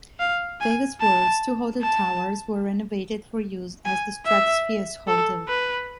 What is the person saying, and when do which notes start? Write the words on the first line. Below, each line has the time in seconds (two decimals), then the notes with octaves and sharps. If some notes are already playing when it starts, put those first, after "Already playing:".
Vegas World's two hotel towers were renovated for use as the Stratosphere's hotel.
0.20 F5
0.61 G#5
1.01 A5
1.82 A5
3.86 G#5
4.26 E5
5.08 A4
5.48 B4